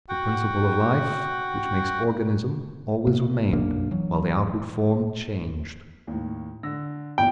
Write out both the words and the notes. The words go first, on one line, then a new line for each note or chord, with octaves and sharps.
The principle of life, which makes organism, always remained, while the outward form changed.
F#4 F#5 G5
C3 A#3
B1 F#2 A#3 D4
E3 F#3
D#2 A2
D3 E6 A#6
G1 E2 A#2 G5